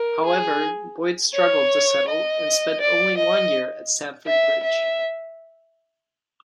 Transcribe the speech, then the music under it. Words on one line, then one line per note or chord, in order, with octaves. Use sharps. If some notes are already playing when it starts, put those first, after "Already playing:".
However, Boyd struggled to settle and spent only one year at Stamford Bridge.
Already playing: A#4
G#4
C#5
D#5
D5
D#5
E5
E5